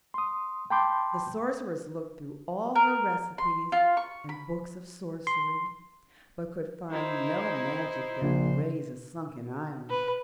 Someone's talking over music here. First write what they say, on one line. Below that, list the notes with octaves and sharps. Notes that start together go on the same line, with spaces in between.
The Sorceress looked through all her recipes and books of sorcery, but could find no magic that would raise a sunken island.
C6 D#6
G5 A5 B5 C6 D6 G6
A#4
C6
F4
C#6
B5
C6
D#4 E4 C5 C6
A#1 C#3
B4